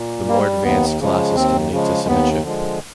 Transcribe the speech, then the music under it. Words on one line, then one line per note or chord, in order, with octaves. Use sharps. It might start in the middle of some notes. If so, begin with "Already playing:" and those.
The more advanced classes can lead to "semicha".
Already playing: A#2
G3 A#3
D#2 B3
C#3 F3 G#3
D#2 C4
C#3 F3 G#3
D#2 B3
D3 F3 G#3